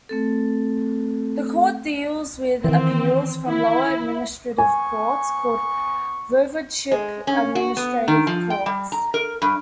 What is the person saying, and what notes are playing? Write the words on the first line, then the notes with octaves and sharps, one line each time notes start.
This court deals with appeals from lower administrative courts called Voivodship Administrative Courts.
A3 C4 A4
D#3 E3 C4
E4
B3 G#5 C#6
G#3
C#4
F#4
B3
D#3
F3
G5
G3
A#5
A#4
G2